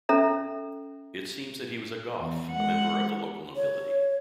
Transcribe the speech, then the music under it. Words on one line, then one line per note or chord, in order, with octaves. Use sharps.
It seems that he was a Goth, a member of the local nobility.
C#4 A4 E5 A#5
E2
G#3 F#5
C#5